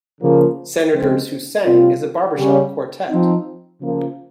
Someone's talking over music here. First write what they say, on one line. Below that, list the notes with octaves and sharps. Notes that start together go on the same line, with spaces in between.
Senators who sang as a barbershop quartet.
C#3 F3 A#3
C#3 F3 G#3 C4
C3 G3 C4 F4
C#3 G3 C#4
F3 C4 D#4
C#3 F3 A#3